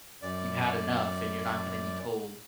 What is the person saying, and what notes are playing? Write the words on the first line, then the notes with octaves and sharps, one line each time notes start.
you've had enough and you're not gonna be told
F#2 D5